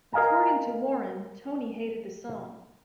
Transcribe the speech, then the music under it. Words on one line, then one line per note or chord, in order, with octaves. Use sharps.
According to Warren, Toni hated the song.
A#4 D#5 F5 G#5 A#5